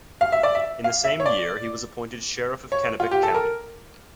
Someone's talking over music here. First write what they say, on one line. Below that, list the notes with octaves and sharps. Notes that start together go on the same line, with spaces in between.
In the same year he was appointed Sheriff of Kennebec County.
F5
E5
D5
E5
F5
E5
C#5
D5
C#5
F4
G4
A4
A#4